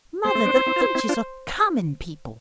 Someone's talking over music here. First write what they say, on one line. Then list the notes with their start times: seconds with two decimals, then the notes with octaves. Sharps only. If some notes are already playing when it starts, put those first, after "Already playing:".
"Mother!--the Finches are common people."
0.24 G#3 B3 C5
0.35 A3 C4
0.45 B3 D4
0.56 C4 E4
0.66 C4 E4
0.76 F4
0.81 C4 E4
0.95 C4 E4
1.09 D4 F4